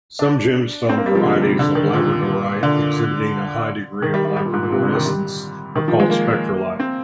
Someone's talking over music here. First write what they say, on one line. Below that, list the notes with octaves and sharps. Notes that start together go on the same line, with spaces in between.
Some gemstone varieties of labradorite exhibiting a high degree of labradorescence are called spectrolite.
D4
C4
A#3
G3
F3
D3
C3
D3
D#3
A#2
D3
D#3
G3
G3
G3
A#2
G#2
A#2
C3
D3
D#3
G3
D#3
F3
G#3
A#3
C4